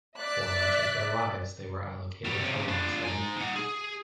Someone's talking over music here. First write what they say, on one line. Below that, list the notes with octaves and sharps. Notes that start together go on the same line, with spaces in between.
For much of their lives they were allocated to Longsight.
D5 E5 F#6 B6
G3 F#4
C3 C#4
D4 F4
D#4 G#5
D#4 F#5
G#4